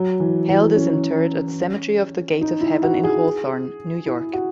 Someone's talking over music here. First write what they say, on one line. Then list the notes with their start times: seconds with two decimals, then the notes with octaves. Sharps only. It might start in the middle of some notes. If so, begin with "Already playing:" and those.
Held is interred at Cemetery of the Gate of Heaven in Hawthorne, New York.
Already playing: F#3
0.20 E3
0.48 E3
0.76 C#4
2.41 D#4
2.61 E4
2.83 F#4
3.04 G#4
4.06 E4
4.33 F#4